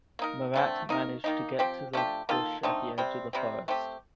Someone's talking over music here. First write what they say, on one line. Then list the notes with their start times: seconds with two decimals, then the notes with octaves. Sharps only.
Marat managed to get to the bush at the edge of the forest.
0.19 A#3 D#4 A#4
0.54 D3 A3 C4
0.89 A#3 D#4 A#4
1.24 D#3 A#3 D#4
1.59 F3 C4 G4
1.93 F3 A3 D4 G4
2.29 D#3 A#3 F4 A4
2.63 D3 A3 C4 D#4
2.98 C3 G3 C4
3.33 C3 G3 C4
3.68 A3 C4 G4